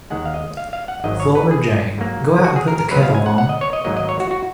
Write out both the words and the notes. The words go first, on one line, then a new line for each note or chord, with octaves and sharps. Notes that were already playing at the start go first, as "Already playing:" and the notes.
Flora Jane, go out and put the kettle on.
D#2 D#3 G#3 F#5
F5
D#5
F5
F5
F#5
G#1 G#2 D#3 F#3 D#5
C#5
B4
G#4
G#2 F#3 A#3
F#4
G#4
A#4
A#4
C#2 C#3 F#3 B4
F5
G#5
F#5
F#5
D#5
C#5
D#5
G#2 D#3 F#3 A#3 D#5
D#5
C#5
F#4
F#4